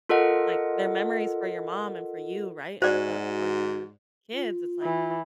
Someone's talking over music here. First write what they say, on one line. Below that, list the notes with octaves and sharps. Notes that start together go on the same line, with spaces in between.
like, they're memories for your mom and for you, right? An but for your kids, it's like
F4 A4 A#4 D#5 F#5
G#2 F#4 C5 D5
F4
E3